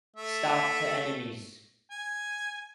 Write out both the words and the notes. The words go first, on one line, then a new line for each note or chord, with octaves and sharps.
Stop to Enemies!
A3 E5
G#5